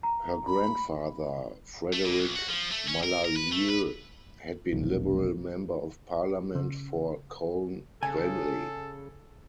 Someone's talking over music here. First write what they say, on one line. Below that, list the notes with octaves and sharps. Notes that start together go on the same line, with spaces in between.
Her grandfather, Frederick Mallalieu, had been Liberal Member of Parliament for Colne Valley.
A#5
B5
A3
A#2
B1
F#4
F3
A3
C#4
A#4
A#4
B4
A3
B4
F1 B1
C#3
C#3 G#4 A4 G#5